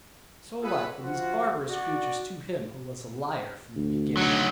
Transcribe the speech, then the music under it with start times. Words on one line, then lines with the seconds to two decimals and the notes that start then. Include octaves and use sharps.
So like were these barbarous creatures to him who was a liar from the beginning.
0.61 F4 G#4 A4 B4
1.00 F3 F4 F#4
1.69 F#4 D5
3.75 D2
4.17 F#3 D#4